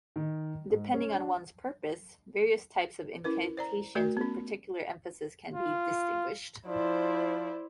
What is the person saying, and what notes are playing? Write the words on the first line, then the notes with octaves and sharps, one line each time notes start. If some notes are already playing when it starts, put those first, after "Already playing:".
Depending on one's purpose, various types of incantations with particular emphases can be distinguished.
D#3
G#2
C#4
D4
C#4 E4 A#4 B4
C5 D5 A#5
A3 F#4 A#4 D5
B3 C#4
F4
F3 E4 C5 D5